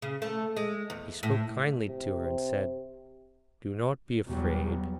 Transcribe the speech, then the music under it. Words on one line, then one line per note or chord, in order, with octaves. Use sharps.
He spoke kindly to her, and said: 'Do not be afraid.
C#3
A3
G#3
E2
A2
C3
E2 B2 F#3 G3